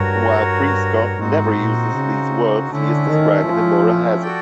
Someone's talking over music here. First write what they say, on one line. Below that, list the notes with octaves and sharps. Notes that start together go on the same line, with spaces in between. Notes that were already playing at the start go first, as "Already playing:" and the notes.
While Prescott never uses these words he is describing a moral hazard.
Already playing: G2 F#4 A#4 C#5
G2
G#2 C4 D#4 F#4
A#2
C#3
D3 A3 C#4 E4
D#3
F3
F#4 A4 D5 G5